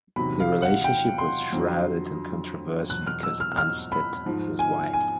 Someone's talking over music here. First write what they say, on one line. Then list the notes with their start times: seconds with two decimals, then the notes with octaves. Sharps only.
The relationship was shrouded in controversy because Anstett was white.
0.16 E2 C3 D#3 F#3 B5
0.40 F5
0.62 F#5
0.84 G5
1.18 C6
1.53 F2 D3 F#3
2.89 E2 B2 F#3 F#6
3.06 F6
3.23 E6
3.40 F6
3.58 F6
3.92 B5
4.26 G#2 F3
4.59 G#5
4.93 G#5